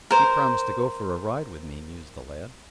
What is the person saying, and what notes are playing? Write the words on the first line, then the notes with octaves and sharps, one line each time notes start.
"She promised to go for a ride with me," mused the lad.
A#4 C5